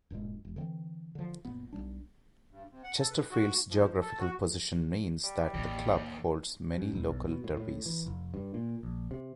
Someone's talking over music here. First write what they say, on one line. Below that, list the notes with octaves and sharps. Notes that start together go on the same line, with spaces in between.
Chesterfield's geographical position means that the club holds many local derbies.
D1 G2 A#2 G#3
E1
D3 E3 G#3 C4
D3 F3
F#1 A#2 B3
B1 G2 G3 D4
G2
C3
F#5
A4
B4
F#4
F3
A4
F#4
G3
A1 D#2
F#2
E1
B1
B2
A2
A2
E3
F1
G2
A#2
A#1
C3